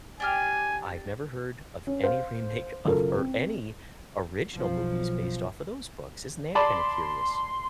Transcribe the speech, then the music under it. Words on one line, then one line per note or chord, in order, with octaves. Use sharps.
I've never heard of any remake of or any original movies based off of those books, isn't that kinda curious?
D4 G4 G#5 F6
C#4
C5 F5
F#1 B2 F4 A4 A#4
C4
B1 F3
D5 A5 B5 C6